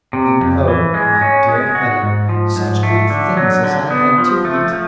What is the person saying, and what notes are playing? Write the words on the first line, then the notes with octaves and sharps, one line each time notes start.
And, oh, my dear Helen, such good things as I had to eat!
C3
F2
E3
G#3
C#4
G#3
F#4
G#2
F3
G#2
A3
D3
F#3
D3
B3
F3
A3
F3